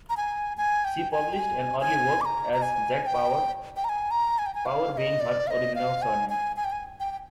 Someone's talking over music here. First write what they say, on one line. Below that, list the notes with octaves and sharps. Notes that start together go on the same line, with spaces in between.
She published an early work as "Jack Power", Power being her original surname.
A#5
G#5
G#5
G5
G#5
G5
G#5
G#5
D6
A#5
A#5
G#5
G#5
G5
G5
A#5
G#5
A#5
G#5
G5
G#5
F5
F5
D#5
D5
F5
D#5
F5
G#5
G#5
G#5
G5
G#5
G5
G5